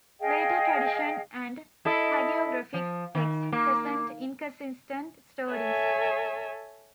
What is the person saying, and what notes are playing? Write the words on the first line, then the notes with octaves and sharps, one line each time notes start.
Later tradition and hagiographic texts present inconsistent stories.
G#4 D#5 F5 G5
E4 A4 D#5
F3
D#3
A#3
A4 C#5 E5 G#5